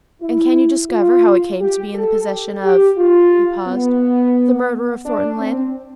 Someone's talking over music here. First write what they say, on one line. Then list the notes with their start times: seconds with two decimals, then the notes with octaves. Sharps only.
"And can you discover how it came to be in the possession of----" he paused, "the murderer of Thornton Lyne?"
0.21 E4
0.90 F4
1.59 G4
1.94 A4
2.28 G4
2.63 G4
2.97 F4
3.66 B3
5.04 D4
5.39 C4